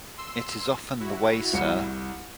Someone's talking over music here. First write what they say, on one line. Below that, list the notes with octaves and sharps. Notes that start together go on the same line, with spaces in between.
It is often the way, sir.
C6 E6
E4 F#4
C2 C#7